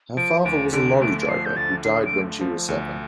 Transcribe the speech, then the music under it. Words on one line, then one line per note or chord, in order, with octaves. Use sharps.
Her father was a lorry driver, who died when she was seven.
F3 D7
D2 D7
D3 D7
A3 D7
D7
F3 C7
G6
D2 A6
D3 C7
D7
A3
F3
D2